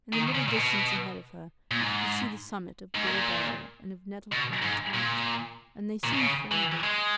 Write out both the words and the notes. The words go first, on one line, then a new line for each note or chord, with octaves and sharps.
In the middle distance ahead of her she could see the summits of Bulbarrow and of Nettlecombe Tout, and they seemed friendly.
D#3
C#3
A#2
B2
A#2
G#2
G#2
A#2
B2
G#2
A#2
A#2
B2
C#3
E3
G#3